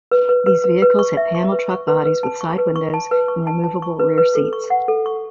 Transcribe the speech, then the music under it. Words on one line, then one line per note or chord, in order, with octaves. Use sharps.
These vehicles had panel truck bodies with side windows and removable rear seats.
B4
B4
B4
B4
B4
C#6
E5
C#6
B4
C#6
B4
B4
A5
C#6
B4
C#6
A5
B4
C#6
A5
A5
C#6
B4
B4
A4
C#6
F#5
A4
C#6